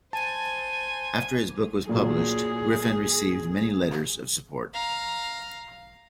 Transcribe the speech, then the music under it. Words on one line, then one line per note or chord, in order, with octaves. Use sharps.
After his book was published, Griffin received many letters of support.
C5 G#5 A5
A#2 F#3 G#4
F5 A#5